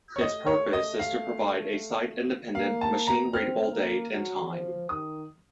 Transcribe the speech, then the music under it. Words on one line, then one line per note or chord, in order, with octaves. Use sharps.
Its purpose is to provide a site-independent, machine readable date and time.
C#5
A3 D#5
C#5
D#5
F5
A#3 F5
A5
A#5
C4 F6
A#3
F#3
F3
D#3 D#6